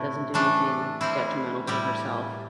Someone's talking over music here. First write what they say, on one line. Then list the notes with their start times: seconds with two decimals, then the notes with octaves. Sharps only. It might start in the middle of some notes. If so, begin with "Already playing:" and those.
doesn't do anything detrimental to herself.
Already playing: A2 C3 A3 E4
0.34 E3 A3 D4
1.01 G3 C4 E4
1.67 A2 G3 E4 G4